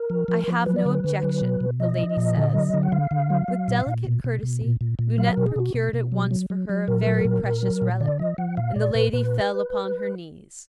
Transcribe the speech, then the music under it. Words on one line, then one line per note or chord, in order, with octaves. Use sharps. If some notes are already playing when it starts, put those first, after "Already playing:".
"I have no objection," the lady says. With delicate courtesy, Lunete procured at once for her a very precious relic, and the lady fell upon her knees.
Already playing: A#4
F3
F3
F3
F#3 B4
D5
D3 B4
D3
F#3
B2
B2
F3 D#5
F3
A#2
D3
F#3
D3
F#5
D3 F5
D3
F#3
F#3
A#2
A#2
B2
B2
B2
A#2
A#2
A#2
F#3 F5
B2 A#4
G#4
B2 F#4
B2
B2
F#3
F#3
F#3
F#3
A#2 A#4
F#3
A#2
A#2
F#3
A#2
D3 D5
F3 D#5
F3 F#5
A#2 F5
A#2 D5
A#2 B4
A#2 B4